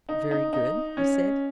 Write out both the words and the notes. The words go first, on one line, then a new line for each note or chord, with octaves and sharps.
Very good, he said.
D#4
D#4
D#4
C#4